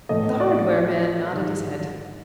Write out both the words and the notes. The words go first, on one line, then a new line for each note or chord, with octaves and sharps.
The hardware man nodded his head.
A2 E3 A3 D#5
D5
D5
G#2 D#3 F#3